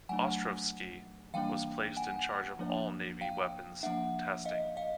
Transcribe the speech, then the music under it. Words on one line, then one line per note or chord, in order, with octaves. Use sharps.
Ostrovsky was placed in charge of all Navy weapons testing.
F#3 A3 D4 F#5 G#5
E3 G3 A#3 D4 F5 G5
F#5 G#5
F3 A#3 D4
F5 G5
F3 A#3 D4 E5 F#5
D#5 F5
D#5 F5